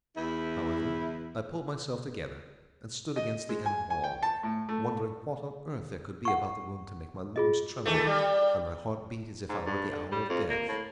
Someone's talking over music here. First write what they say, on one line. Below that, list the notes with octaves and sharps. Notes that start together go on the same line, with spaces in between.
However, I pulled myself together, and stood against the end wall, wondering what on earth there could be about the room to make my limbs tremble, and my heart beat as if I were at the hour of death.
E2 E4
D#5
G#3
G#5
G#5
G5
A5
A2
A3
F#5 C#6
F4 G#4 D#5
D#3 E3 A3
G3
G#2
G2
D3
G3
F2
A#3
A2